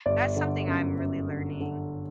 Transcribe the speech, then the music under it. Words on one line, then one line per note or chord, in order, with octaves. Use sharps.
that's something I'm really learning.
G1 D5
D3
F#2
F#2
D3
D3